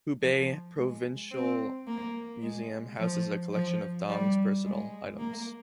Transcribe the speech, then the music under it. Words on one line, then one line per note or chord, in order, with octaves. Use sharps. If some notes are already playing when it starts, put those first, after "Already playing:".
Hubei Provincial museum houses a collection of Dong's personal items.
F3
G#3
C4
A#3
G#3
F3
F3
G3
G#3
A#3